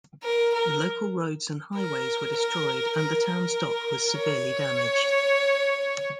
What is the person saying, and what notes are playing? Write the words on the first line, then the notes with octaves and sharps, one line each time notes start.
Local roads and highways were destroyed and the town's dock was severely damaged.
A#4
A#4
A#4
A#4
A#4
A#4
C#5